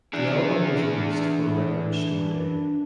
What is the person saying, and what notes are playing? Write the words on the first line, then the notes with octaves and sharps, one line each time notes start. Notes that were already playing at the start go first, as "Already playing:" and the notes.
The album was released for Record Store Day.
E3 D4 E4 G#4